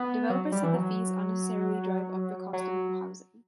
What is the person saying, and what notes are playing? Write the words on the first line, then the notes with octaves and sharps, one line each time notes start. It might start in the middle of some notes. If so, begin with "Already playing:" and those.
Developers said the fees unnecessarily drive up the cost of new housing.
Already playing: B3
F#3
G3
E3
F#3
F#3